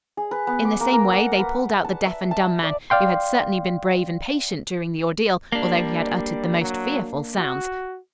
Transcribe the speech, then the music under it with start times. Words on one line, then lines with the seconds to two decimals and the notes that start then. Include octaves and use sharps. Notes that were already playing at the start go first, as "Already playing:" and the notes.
In the same way they pulled out the deaf and dumb man, who had certainly been brave and patient during the ordeal, although he had uttered the most fearful sounds.
0.17 G#4
0.31 B4
0.47 B3
0.65 D6
0.81 A#3
0.93 A#4
1.13 F#5
1.39 B4
1.84 A5
2.07 E5
2.31 A5
2.63 D5
2.90 D5 F5 G5 C6
5.52 G3 A#3 D4
6.61 F#3
7.38 F#4